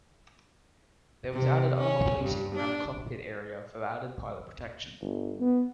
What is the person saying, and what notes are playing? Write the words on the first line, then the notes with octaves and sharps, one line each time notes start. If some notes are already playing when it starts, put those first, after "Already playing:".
There was added armor plating around the cockpit area for added pilot protection.
C3
C#4
G2
D4
G1
B3